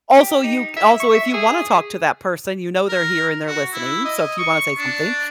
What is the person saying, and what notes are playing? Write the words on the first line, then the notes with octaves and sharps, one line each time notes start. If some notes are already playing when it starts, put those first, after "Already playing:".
also, you c also, if you wanna talk to that person, you know they're here and they're listening, so if you wanna say something,
G4
D#4
E5
C#6
E5
G#4
A#4
F#4
E4
D#5
C#6
D4